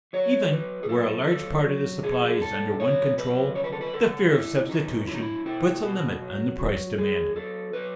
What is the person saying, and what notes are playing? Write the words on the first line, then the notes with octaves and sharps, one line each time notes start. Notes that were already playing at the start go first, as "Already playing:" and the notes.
Even where a large part of the supply is under one control, the fear of substitution puts a limit on the price demanded.
F#3 C#5
F#3 B4
G#4
F#3 A4
F#3 A4
F#3
B2 G#4
B2 A4
F#3 C#5
F#3 B4
C#3 C#5
B4
A4
B4
C#3 A4
C#3 E4
F#3 D#4
F#3 E4
D#4
E4
B2 E4
B2 F#4
F#3
F#3
F#3 G#4
F#3 A4
F#3 B4